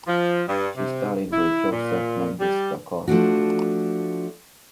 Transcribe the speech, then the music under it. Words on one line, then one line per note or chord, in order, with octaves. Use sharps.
She studied with Joseph Mendes da Costa.
F3
G2
C3
E4
A#2
G3
F3 A3 D4 F#4